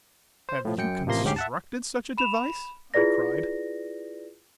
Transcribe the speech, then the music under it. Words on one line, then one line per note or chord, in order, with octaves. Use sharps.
"Have you constructed such a device?" I cried.
C5
A2 F3
F#2 G5 C#7
A1 C3 F3 A#3 C6 A#6
D2 G#2 C#4 G4 D6 C7
E5 F#5 A5
B5 E7 F7
E4 F4 G#4 B4 D5 A#6